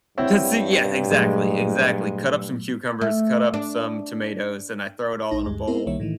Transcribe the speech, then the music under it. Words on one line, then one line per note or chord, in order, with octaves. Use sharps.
Tzatziki yeah, exactly, exactly. Cut up some cucumbers, cut up some tomatoes, and I throw it all in a bowl,
G2 C4 E4 C#5 F#5 G5
A#2 F#3 G#3 A3
A3
D4
A#1 D#4 A#6
D2 G2 G#3
B3 C4 E4 A#4 C5
B1 D#3 G3 A#3 C#5 E5
A2 D#3 E3